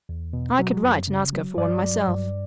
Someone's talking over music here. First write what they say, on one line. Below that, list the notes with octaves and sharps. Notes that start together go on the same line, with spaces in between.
"I could write and ask her for one myself."
E2
B2
F#3
F#2
C#3
F#3
G2 D5
F#3
G2